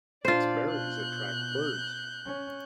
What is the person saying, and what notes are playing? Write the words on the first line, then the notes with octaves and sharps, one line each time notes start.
Its berries attract birds.
A#2 D4 F4 C5 D5
B2 F#6 G6
C#4